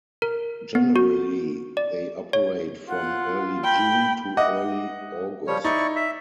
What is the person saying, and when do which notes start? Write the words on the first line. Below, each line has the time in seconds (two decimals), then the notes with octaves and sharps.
Generally, they operate from early June to early August.
0.22 A#4
0.75 B3
0.96 F#4
1.77 D5
2.33 C#5
2.89 F4 F#5
3.64 G5 B5
4.37 D#5 E5 F#5 D6
5.47 F3 G3 C#5
5.64 D#4 E4 D5 C#6
5.96 E5